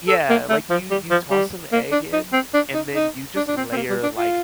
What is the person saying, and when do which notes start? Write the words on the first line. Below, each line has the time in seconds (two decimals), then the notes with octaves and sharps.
Yeah, like, you you toss some egg in, and then you just layer, like,
0.08 A4
0.29 A#3
0.49 A3
0.70 F3
0.91 G3
1.11 F3
1.31 G3
1.72 A#3
1.92 D4
2.13 D#4
2.33 C4
2.54 D4
2.74 D#4
2.95 D#4
3.36 D4
3.48 D4
3.56 C4
3.72 C4
3.76 A#3
3.90 G3
4.03 D4
4.17 F4